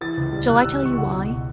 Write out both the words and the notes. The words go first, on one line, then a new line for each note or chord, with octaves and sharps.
Shall I tell you why?
E3 A6
C#2
G3
C#2 F#6
E6
G3
E3 C#6
C#2 F#5
B2